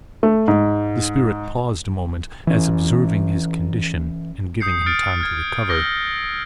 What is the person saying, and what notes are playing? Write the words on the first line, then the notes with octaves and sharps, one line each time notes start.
The Spirit paused a moment, as observing his condition, and giving him time to recover.
A3
G#2
E3 C#4
D#6 G6 C7 C#7
F6 A6 C#7 D7
F6 G#6
E6 G6 A#6 G7